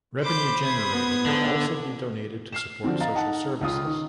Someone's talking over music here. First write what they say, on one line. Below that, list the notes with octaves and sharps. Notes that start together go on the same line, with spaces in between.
Revenue generated will also be donated to support social services.
C5 B5 D6 G6
D#6 G#6
B3
D3
F6 C7 E7
D3 F3 F#3 C4
D#5 F5 A#5 A6
D#4 F#5 A5
C#2 C#3 F4 F5 D#6
D#3